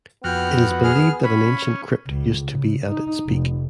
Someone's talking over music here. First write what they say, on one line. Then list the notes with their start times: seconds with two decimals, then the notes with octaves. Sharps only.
It is believed that an ancient crypt used to be at its peak.
0.24 F2 B3 F#4 G5 F6
0.83 G#4 F6
1.24 C#4 B5
2.07 C#2
2.53 C#3
2.86 D#4
3.28 F1